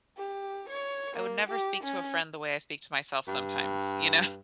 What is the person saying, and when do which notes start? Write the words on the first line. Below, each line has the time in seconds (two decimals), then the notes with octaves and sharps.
I would never speak to a friend the way I speak to myself sometimes. You know?
0.18 G4
0.69 C#5
1.17 A#3
1.47 G4
1.84 C#4
3.27 G2